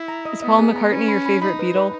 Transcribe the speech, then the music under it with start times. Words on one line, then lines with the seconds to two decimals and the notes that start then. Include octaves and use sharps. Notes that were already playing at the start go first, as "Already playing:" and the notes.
Is Paul McCartney your favorite Beatle?
Already playing: E4
0.08 A#5
0.25 D#5
0.42 B3 D#5
0.59 G#4
0.76 A#5
0.92 C#4 B4
1.08 B5
1.26 B5
1.42 D#4 B5
1.59 B4
1.76 B4